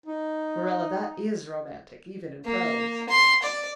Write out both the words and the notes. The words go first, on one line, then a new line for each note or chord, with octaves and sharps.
Marilla, that IS romantic, even in prose.
D#4
A#3
C6
D5